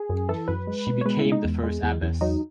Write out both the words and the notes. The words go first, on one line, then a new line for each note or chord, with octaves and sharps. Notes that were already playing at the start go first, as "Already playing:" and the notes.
She became the first abbess.
Already playing: G#4
F#2
E3 A4
F#2 B4
G#3
B2
C#5
G#3 B4
E4
G#3
D#4
E2
G#3
E2
E2
F#3 D#4